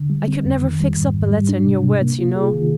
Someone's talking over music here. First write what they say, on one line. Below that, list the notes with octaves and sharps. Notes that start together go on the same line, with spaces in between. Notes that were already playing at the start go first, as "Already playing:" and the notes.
I could never fix up a letter in your words, you know.
Already playing: D3
G3
C4
F2
D#3
G3
G#2
G#2
G3
D4
C3
C3
A#3
F4
G#4
D#3